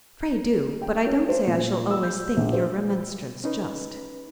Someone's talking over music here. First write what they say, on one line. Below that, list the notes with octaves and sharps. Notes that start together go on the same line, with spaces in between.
"Pray do; but I don't say I shall always think your remonstrance just."
G5
C#4
C5
A#2
E6
G6
A#1
C5
C#4 D#4 B4